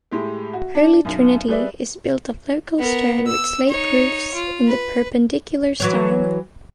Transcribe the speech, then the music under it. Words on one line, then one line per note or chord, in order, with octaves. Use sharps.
Holy Trinity is built of local stone with slate roofs in the Perpendicular style.
A2 G#3 G4
F#4
D4
B1 F#2
G3 G#4 B4 D5 E5
B3 A#4
E6
D#4 C#5
F4
B4
E3 F#3 C#5